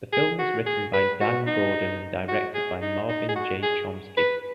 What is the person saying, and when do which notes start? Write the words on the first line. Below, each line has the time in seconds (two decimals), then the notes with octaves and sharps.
The film was written by Dan Gordon and directed by Marvin J. Chomsky.
0.12 G#4
0.39 F#4
0.66 G#4
0.93 B4
1.21 F#4
1.47 D#4
2.28 F#4
2.54 G#4
2.81 D#4
3.09 D#4
3.29 G#4
3.35 F#4
3.63 G#4
4.17 B4